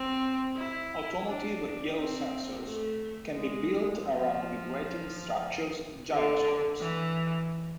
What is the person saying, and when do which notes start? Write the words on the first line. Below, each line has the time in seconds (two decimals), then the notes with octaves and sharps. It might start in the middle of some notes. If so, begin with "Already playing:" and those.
Automotive yaw sensors can be built around vibrating structure gyroscopes.
Already playing: C4
0.57 E4
1.26 D4
1.96 C4
2.65 A3
3.35 G#3
4.04 F3
6.12 D3
6.81 E3